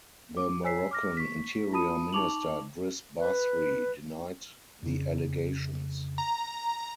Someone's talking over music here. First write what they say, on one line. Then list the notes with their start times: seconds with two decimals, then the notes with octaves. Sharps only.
The Moroccan Interior Minister Driss Basri denied the allegations.
0.37 D6
0.64 C#5 G#5 E6 B6 C7
0.91 D6 F6 A#6
1.17 C#6 B6
1.73 F4 A5 B5 D#6 D#7
2.13 D#4 A5 C#6 D6 F7 F#7
3.19 B4
4.83 F2 C#3
6.18 A#5